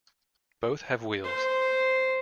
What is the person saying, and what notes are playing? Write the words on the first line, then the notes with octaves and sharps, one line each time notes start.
Both have wheels.
C5